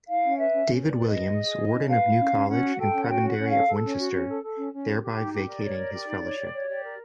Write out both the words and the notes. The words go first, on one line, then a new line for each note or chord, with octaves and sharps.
David Williams, warden of New College and prebendary of Winchester, thereby vacating his fellowship.
E4 F5
C#4
B4 E5
C#4
C#4
B4
D5
B4
D#5
B4
G#4
G#4
E4
C#4
B4 F5
E4
C#4
C#4
C#4 F#5
F#4
A4 G5
C#4
F#5
F#4 G5
C#4 F#5
C#4
A4 F5
A4
C#4
F#4
C#4
A4
A4
C#4
C#4
G4
G4
D#4
G4
A#4 D5
C#5
A#4
G4
D#4
C#5
G4
C#5
G4 D5
A#4